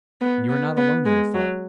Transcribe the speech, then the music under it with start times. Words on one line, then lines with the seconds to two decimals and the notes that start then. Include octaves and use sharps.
And you are not alone in your fault.
0.21 B3
0.49 B3
0.77 B3
1.05 G#3
1.34 F#3